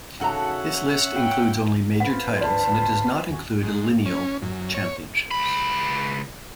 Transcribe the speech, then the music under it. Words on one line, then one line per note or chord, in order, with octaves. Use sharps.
This list includes only major titles, and it does not include "lineal" championships.
C#3 D#4 F#4 A4 C#5 E5 F#5 A#5
B4 F5 G5
C#4 F4 B4 C5 F#5
D2 G2 D4 D5 A5
D#2 D#3 C#4 F#4 G#5
G#2
C#4
F#2
C#5
C#2 B5